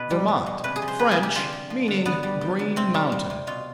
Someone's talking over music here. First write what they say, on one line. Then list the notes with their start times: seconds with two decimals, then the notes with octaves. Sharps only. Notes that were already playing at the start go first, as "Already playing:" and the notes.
Vermont--French; meaning "green mountain."
Already playing: B2 B4
0.11 G3
0.28 G3
0.46 B2
0.64 C3 B4
0.76 G#4
0.82 F3
0.88 C5
0.99 F3 B4
1.11 G#4
1.18 C3
1.23 G4
1.35 D3 F4
1.53 F3
1.70 F3
1.88 D3
2.05 D3 B3
2.23 G3
2.41 G3
2.59 D3
2.76 C3 C4
2.94 G3
3.12 G3
3.30 C3
3.47 B2 F4